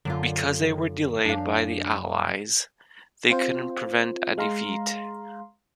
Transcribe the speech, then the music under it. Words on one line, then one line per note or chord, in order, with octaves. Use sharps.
Because they were delayed by the Allies, they couldn't prevent a defeat.
F#2 D3 A#3 F4
F#2 D4 F5
C4 F4 C5
G#3 F5 A#5 C6